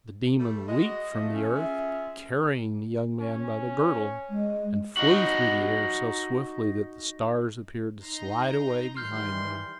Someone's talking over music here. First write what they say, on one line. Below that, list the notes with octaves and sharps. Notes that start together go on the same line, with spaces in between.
The Demon leaped from the earth, carrying the young man by the girdle, and flew through the air so swiftly that the stars appeared to slide away behind them.
G3 A3
G#3 F#4 D#5
F2 F3 A3
C#4
F4 G#4 E5
C#4
G#3
D#4 F#4
D#4 A#5 C6
D#3 E3 G3 C6 F6 G6